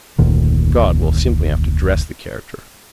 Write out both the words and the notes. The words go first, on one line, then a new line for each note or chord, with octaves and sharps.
God, we'll simply have to dress the character.
F1 D2 A#2 D#3